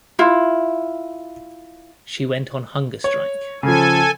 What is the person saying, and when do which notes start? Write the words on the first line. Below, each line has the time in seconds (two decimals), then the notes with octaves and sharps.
She went on hunger strike.
0.19 E4 F4
3.04 C#5
3.63 C#3 F3 A4 G#5